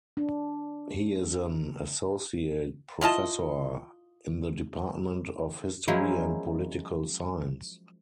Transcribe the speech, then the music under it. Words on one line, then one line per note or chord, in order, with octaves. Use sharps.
He is an associate professor in the department of History and Political Science.
D4
E4 F4 D#5 A5
F3 F#3 G#3 A#3 C#4 E4